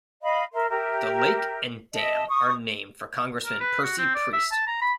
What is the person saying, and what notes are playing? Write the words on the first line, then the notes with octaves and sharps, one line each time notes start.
The lake and dam are named for Congressman Percy Priest.
D#5 F5 B5
A#4 E5 C6
G4 A#4 E5
D#5 E5 A5
C#6 D#6
A#4
B4
F#4
C4
D5
E5
A5
A#5
B5